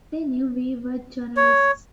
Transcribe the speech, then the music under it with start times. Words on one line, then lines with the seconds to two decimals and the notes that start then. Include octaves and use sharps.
They knew we were journalists.
1.37 C#5